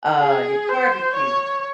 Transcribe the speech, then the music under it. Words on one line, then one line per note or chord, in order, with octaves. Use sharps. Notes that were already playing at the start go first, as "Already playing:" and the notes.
uh, your barbecue.
G#4
C5
C#5